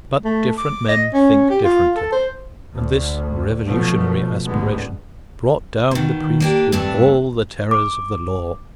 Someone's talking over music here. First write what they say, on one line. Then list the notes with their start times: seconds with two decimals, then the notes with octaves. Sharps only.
But different men think differently; and this revolutionary aspiration brought down the priest with all the terrors of the law.
0.24 A3
0.58 D6
0.88 D#5
1.13 C#4
1.50 G4
1.64 F4
1.96 A4
2.12 C5
2.74 D2
3.66 B2 F3 F#3 A3
4.46 A1 D2 G#2 D3 G#3 B3
5.91 B2 D#3
6.40 A#3 D4 G4
6.72 G2 C3 A3 D4
7.71 D6